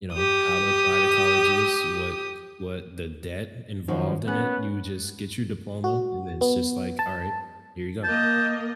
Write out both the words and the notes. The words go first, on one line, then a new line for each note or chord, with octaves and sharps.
you know, how to apply to colleges, what what the debt involved in it, you just get your diploma, and then it's just like, "Alright, here you go."
G4 D#6
F#2 D#3 F3 F#4
B3 C#4 F#6
F#4
B3
A5
A#3 D#5 A5 G6